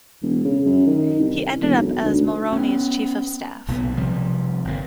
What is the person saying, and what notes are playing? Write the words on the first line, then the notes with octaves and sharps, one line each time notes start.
He ended up as Mulroney's chief of staff.
E1
C#3
F#2
D#3
C2
E1
B1
D2
B3 C#4
B1 A#2 B3
C3 F3 G3
G1 A#2